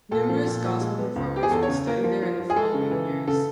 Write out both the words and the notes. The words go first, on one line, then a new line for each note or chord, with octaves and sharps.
Numerous gospel performers would study there in the following years.
A#2 A4
F3
A#2
F3
G#3
B3
C#2
B3 G4
G#4
E2 A4
C#5
C#3
A#3 A#4
F3
F3
F3
G#4
G#3 A4
C#3
E3
C#3
C#3 A4